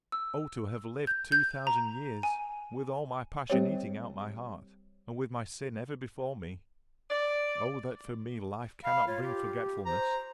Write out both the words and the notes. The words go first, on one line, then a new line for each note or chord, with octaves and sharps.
Oh! to have lived two thousand years, with all my passion eating out my heart, and with my sin ever before me. Oh, that for me life cannot bring forgetfulness!
E6
G6
G6
A#5
G#5
G3 C4 G4 C5 C#5
D5
F5 B5
F4 C#5
G4
C5 A#5